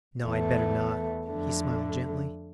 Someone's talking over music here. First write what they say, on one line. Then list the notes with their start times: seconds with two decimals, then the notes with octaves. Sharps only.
"No, I'd better not," he smiled gently.
0.25 E2 E3 A3
1.29 F2 D3 A3